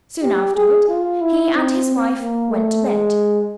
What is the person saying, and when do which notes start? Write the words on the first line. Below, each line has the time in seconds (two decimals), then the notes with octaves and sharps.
Soon afterward, he and his wife went to bed.
0.23 G4
0.56 G#4
0.89 F4
1.21 E4
1.54 C4
2.19 A#3
2.51 A3
2.84 G#3